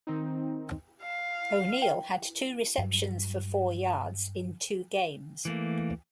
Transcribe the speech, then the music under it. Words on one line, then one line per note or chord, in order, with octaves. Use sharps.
O'Neal had two receptions, for four yards, in two games.
D#3 C4 D#4
F5
G5
G2 F#3
E3 A3 A#3